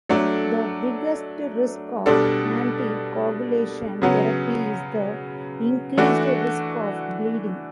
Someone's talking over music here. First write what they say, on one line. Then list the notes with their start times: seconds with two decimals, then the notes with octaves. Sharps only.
The biggest risk of anticoagulation therapy is the increased risk of bleeding.
0.09 F#3 A3 D4 A4
2.06 B2 G3 D4 A4
4.02 C#3 F#3 B3
5.98 E3 A3 D4 F#4